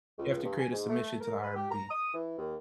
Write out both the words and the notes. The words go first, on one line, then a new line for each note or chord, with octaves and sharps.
you have to create a submission to the IRB.
C#2
G2
G#5
G#2
A3
A#4
B4
G4
A#5
D#6
E3
D#2